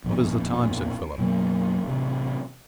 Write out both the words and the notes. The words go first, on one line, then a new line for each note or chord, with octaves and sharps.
"What is the time?" said Philip.
A#1 F2 B2
F#2 B2 F#3 A#3
A1 C3